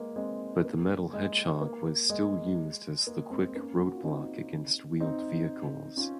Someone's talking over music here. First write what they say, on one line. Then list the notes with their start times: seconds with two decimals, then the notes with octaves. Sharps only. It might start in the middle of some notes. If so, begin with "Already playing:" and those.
But the metal hedgehog was still used as the quick road-block against wheeled vehicles.
Already playing: G#3 A#3
0.16 G#3 C4
0.65 A#3
1.13 G#3
1.61 A#3
2.10 G#3
3.07 A#3
3.31 G#3 C4
3.55 A#3 C#4
3.86 F#4
3.95 F4
4.04 C4 D#4
5.00 C4 D#4
5.97 C#4 F4